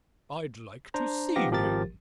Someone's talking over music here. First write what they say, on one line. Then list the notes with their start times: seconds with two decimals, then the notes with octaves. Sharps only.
"I'd like to see him."
0.94 D4 C5 A#5
1.36 F3 B3 D#4 G4 F5 A#6
1.51 G#1 F3 G4 A#4 A6